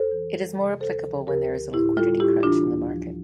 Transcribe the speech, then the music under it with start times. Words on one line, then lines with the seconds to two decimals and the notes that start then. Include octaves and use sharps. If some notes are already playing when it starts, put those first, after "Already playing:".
It is more applicable when there is a liquidity crunch in the market.
Already playing: F2 A4 C5
0.11 E3
0.35 G3
0.58 C3
0.80 D2 A4 C5
1.04 F3
1.27 D2 G4 A#4
1.51 D3
1.73 A2 E4 G4
1.97 G3 F4 A4
2.20 A2 E4 G4
2.43 E3 D4 F4
2.66 D2
2.90 F3